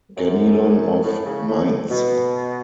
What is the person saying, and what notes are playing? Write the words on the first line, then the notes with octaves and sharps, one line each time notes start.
"Ganelon of Mainz".
F#2
A2
C#3
A2
B2